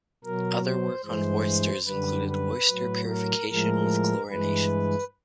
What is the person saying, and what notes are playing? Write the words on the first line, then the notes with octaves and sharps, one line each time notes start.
Other work on oysters included oyster purification with chlorination.
B2 F#3 A#4
C5
G2 E3 G#3 C5
F#2 D3 G3 B4
B4
A2 F#3
A#4
A2 F3 G#3 A#4
G2 E3 G#3 B4